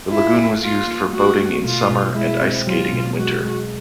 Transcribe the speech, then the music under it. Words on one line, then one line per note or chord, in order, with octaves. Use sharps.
The lagoon was used for boating in summer and ice skating in winter.
E4 F4
A#3
A#3 F4
A#3
A3 F#4
A3
B2 F4
B2
G#3 E4
C4
F#3 F4
B2
G#3 F#4
G#3